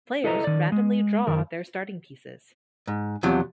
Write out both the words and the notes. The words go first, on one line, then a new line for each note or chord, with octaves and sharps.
Players randomly draw their starting pieces.
E4 A4 B4 D#5 F#5 A#5
D#3 D5
G#3
F#2 D#3 A#4
G#2
E2 C3 F3 F#3